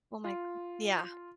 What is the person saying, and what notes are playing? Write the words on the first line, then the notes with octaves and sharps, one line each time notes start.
Oh, my g yeah.
F4